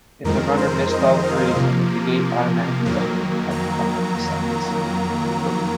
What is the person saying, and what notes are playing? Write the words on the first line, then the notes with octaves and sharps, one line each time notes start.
If the runner missed all three, the gate automatically opened after five seconds.
F2 D#3 G#3 C4 A#4
C5
D#5
F5
C3 F3 A#3
F2 D#3 F#3 A#3
A#5